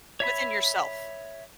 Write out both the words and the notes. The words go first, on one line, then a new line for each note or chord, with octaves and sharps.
Within yourself.
C#5 E5 B5